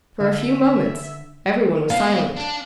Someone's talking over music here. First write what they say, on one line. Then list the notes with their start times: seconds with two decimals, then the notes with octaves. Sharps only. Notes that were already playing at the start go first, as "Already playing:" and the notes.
For a few moments every one was silent.
0.20 D3 E5
1.90 B2 F5
2.37 D4